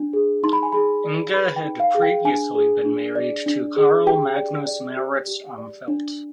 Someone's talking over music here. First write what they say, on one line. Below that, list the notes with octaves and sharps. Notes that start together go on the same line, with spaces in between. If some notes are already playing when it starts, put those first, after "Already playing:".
Inge had previously been married to Carl Magnus Mauritz Armfelt.
Already playing: D4
G#4
D#4 C6
B5
G#5
G#4 B5
D5
B4 B5
G5
D#4
F5
G#4
G5
D4 G#5
G#4
D4
D5
D4
G#4
G4 G5
D5
D5
G4
G4
D5
D4